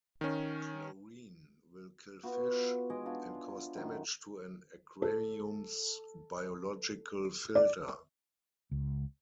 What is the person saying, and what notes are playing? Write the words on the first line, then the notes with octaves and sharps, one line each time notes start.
Chlorine will kill fish, and cause damage to an aquarium's biological filter.
D#3 C#4
B3 F4 F#4
G#3 C#5 D#5 D6
D4 F4 E5 F5
F#2 D#3
A4
D5
C#2